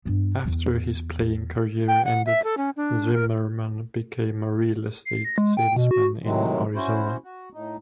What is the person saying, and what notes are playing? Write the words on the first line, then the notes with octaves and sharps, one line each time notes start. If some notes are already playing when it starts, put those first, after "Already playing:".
After his playing career ended, Zimmerman became a real estate salesman in Arizona.
G2 B3
E2 B3
G5
F#5
E5
A4
C#4
D4
A#4
C7
A#6
G#3
G5
B2
F#4
A2 C3 D#3 F#3 G#3
C#4 E4 F#4 C5
F#4
A2 D#4